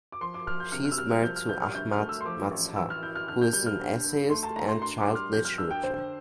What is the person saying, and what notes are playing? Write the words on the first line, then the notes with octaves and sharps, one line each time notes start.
She is married to Ahmad Mazhar who is an essayist and child literature.
D6
F3 C6
D6
F3 F6
G6
C3 F6
F6
E6
G3 F6
F6
F3 G6
F6
C2 G6
F6
G1 G6
F6
A3
E6
C6
F3 D6
A1
E3 E6
F6
E4 G6
F6
D3 F6
G6
G3 G6
F6
G2
G2
A3 C6
A5
A2 A#5
C6
D4 C6
D6
G3
F6
F2 G6
F6
D4 E6
G5
D3 C5